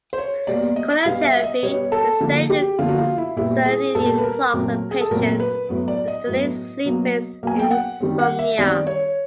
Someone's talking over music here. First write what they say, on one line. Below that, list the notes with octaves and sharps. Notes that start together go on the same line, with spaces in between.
Chronotherapy: Resetting the circadian clocks of patients with delayed sleep phase insomnia.
C5
C#5
B2 G3 A#3 D5
D#5
B2 G3 B3 F5
E5
D#5
B2 G3 B3 C#5
A4
D3 F3 A#3
G4
D3 F3 A#3 F4
F#4
F4
E4
A#2 G3 B3 E4
G#4
A#2 G3 B3 A4
B4
A#4
A#2 F#3 A3 C4
G#4
A4
A#2 F#3 A3 C4 A#4
B4
A2 F#3 B3
D5
D#5
A2 F#3 B3
B2 F#3 A#3
B2 F#3 A#3 G#5
G5
F#5
D#3 G3 C4
F#5
E5
D#3 G3 C4 D5
C#5